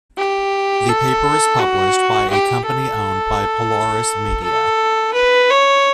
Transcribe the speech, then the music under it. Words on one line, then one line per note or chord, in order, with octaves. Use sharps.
The paper is published by a company owned by Polaris Media.
G4
A4
F#4
G4
A4
A4
B4
C#5